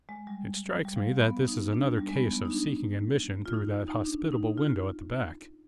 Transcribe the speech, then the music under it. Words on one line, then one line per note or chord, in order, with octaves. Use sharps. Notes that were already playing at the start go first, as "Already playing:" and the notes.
'It strikes me that this is another case of seeking admission through that hospitable window at the back.'
G#3
G3
G3
F3
B3
D#4
D4
G3
G#3
B3
B3
D#4
D4
F4
D#4
D#4
D4
D#4
F4